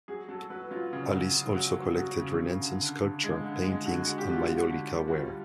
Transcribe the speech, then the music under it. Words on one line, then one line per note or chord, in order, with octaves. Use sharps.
Alice also collected Renaissance sculpture, paintings and maiolica ware.
F#3 G#4
F#3 A4
F#3 B4
F#3 F4
C#3
F#3
C#3
F#3
F#3
F#3 F#4
C#3
C#3
D3
D3
D3
G#3
D3
G#3
D3 F#4
F#4
G#3
G4
D3 F4
D3 F#4
D3
D3
F#4
G3 F4